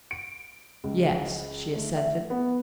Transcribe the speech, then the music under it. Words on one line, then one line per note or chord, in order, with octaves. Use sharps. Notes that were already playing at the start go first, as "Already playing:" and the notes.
"Yes," she assented.
D7
C#2
A3
E5
B3